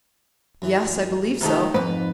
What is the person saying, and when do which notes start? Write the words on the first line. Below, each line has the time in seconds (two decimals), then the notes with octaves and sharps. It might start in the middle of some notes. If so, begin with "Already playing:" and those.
"Yes; I believe so."
0.62 F#2 E3
1.41 C3 D#3 A3 A#3 D#4 F4
1.74 F2 G#2 B4